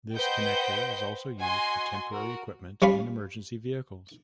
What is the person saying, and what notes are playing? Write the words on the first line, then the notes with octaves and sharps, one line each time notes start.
This connector is also used for temporary equipment in emergency vehicles.
B4 C5 D#5 F#5 G5 G6
F#4 D#5 G#5 C6
F#4 A#4
G3 C#4 F5 B5